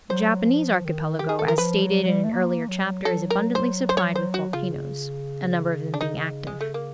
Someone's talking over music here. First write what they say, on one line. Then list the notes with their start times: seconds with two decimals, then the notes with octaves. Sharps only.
The Japanese archipelago, as stated in an earlier chapter, is abundantly supplied with volcanoes, a number of them being active.
0.10 F#3 C5
0.47 F3
0.85 D#3
1.19 D#3 G4
1.29 G#4
1.39 A4
1.48 A#4
1.58 F3 B4
1.83 F#3
2.03 F#3
2.07 G3
2.24 A3
2.32 A#3
2.68 F#3
3.05 A4
3.30 A#4
3.55 C5
3.89 C5
3.97 C#5
4.15 C5
4.34 F#4
4.53 C#3 F4
5.94 D4
6.01 D#4
6.47 G#3
6.61 A3
6.74 A#3